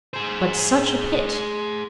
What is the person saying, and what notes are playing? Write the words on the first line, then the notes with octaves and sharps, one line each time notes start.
But such a pit!
G#4 C5